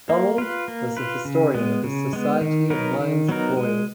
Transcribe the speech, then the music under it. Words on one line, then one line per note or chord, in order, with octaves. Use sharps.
Donald was the historian of the Society of Mines Royal.
A#3
F4 B4
A#3
F4 B4
C#3
G#3 B3
C#3
G#3 B3
D#3
F#3 B3 D#4 A#4
D#3
F#3 B3 D#4 A#4
G#3